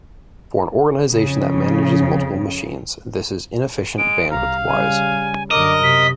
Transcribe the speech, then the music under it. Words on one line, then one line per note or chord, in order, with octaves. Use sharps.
For an organization that manages multiple machines this is inefficient bandwidth-wise.
F2 C#3
G#3 D7
C2 F5 A#5
C#3 G3 G#5
F#2 D3 A#4 D#5 D6
C3 B6